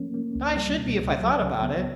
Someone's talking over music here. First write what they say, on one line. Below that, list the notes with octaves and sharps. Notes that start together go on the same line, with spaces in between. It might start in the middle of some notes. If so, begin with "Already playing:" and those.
"I should be if I thought about it."
Already playing: F3 A3 A#3 C#4
A#3
C#2
G3
B2
C#2
F#3
C#3
B3